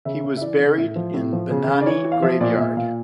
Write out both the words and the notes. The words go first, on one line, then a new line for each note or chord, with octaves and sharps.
He was buried in Banani graveyard.
C#3 E5
C#3
E5
E3 D5
C#3
A2 E5
F3
A2
F3
C#3
C#3
D5
E3 C#5
E3
F5
F3 E5
A#2 D5
A#2 E5
A#2 F5